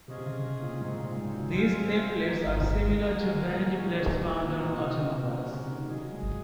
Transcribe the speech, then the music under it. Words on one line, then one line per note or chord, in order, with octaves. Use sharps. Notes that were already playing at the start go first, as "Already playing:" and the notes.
These nameplates are similar to vanity plates found on automobiles.
C3 C#4 F4 G#4 D#5 G#5
C3
C#3
C3
A#2
G#2 C4 D#4 G#4
A#2
G#3
F#3
G#3 C4 F4 C5 F5 G#5
A#3 D#4 A#4
F#3 F#4 A#4 F5 G#5
G#3
G#3
A#2
D#4 F#4 C#5 G#5
A#2 C4 D#4 F#4 A#4 D#5
A#2
C3
A#2
A#2 C#4 F#4 A#4
C3
C#3
D#3
F#3 G#4 D#5 G#5
G#3